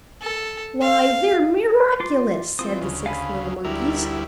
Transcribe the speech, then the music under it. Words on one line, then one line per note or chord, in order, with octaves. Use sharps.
"Why, they're miraculous!" said the six little monkeys.
A4
F5
F4 C6 D6
E3 C4 F4 D#6
D2 C#3
F5 G#5 B5
D2 G3 E4 A#4